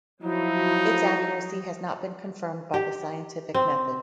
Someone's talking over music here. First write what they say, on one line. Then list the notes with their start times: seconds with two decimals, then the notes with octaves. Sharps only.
Its accuracy has not been confirmed by the scientific method.
0.23 F3 F#3 D#4 E4
2.74 G4
3.54 C4